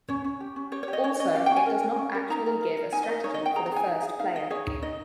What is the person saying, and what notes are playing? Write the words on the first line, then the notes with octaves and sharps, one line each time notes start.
Also, it does not actually give a strategy for the first player.
C#4 C#5
C#4
G4
C#4
G4 C#5
C#5
G4
D#5
C#4 C#5
C#4 D#5
G4 F5
G5
C#4
G#5
A#4
A#4
C#4
A#4
D#4 A#5
A#4
A#4
A#4
D#4 G#5
D#5
A#4
D#4 C#5
D#5
D#4 G5
G#4 A#5
A#5
G#4 G#5
D#4
G#4
D#4 F5
G#4 D#5
G#4 C#5
D#4
D#4 D#5